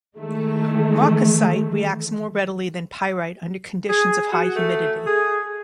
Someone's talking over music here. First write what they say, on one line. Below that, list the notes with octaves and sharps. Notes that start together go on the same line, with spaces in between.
Marcasite reacts more readily than pyrite under conditions of high humidity.
D#3 E3 G#3 A3
G#4
F#4
A3
G#4